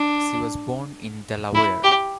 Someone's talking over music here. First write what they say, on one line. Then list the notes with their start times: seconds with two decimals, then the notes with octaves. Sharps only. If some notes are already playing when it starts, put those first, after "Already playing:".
She was born in Delaware.
Already playing: D4
1.54 E4
1.84 G4